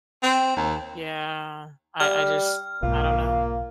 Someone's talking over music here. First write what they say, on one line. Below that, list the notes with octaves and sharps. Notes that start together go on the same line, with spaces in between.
Yeah. I I just I don't know.
C4
D#2
G3 F6
B1 G#2 A#3 F4